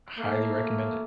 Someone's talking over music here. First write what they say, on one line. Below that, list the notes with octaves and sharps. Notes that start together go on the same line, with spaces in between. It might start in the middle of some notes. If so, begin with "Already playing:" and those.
highly recommend it,
A3 A#3